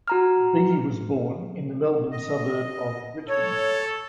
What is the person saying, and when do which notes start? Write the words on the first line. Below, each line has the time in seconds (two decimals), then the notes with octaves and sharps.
Beattie was born in the Melbourne suburb of Richmond.
0.08 F#4 A#5 F6
2.11 D#5
3.29 A4 C#5